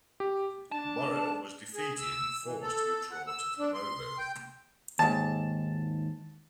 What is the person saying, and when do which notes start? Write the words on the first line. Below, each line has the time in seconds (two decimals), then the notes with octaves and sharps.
Boril was defeated and forced to withdraw to Tarnovo.
0.20 G4
0.72 D4 A5
1.74 G#4
1.98 E6
2.44 E3
2.62 A4
3.11 F#5
3.27 E6
3.59 D4
3.74 C6
4.18 G5
4.99 D#2 G#2 A5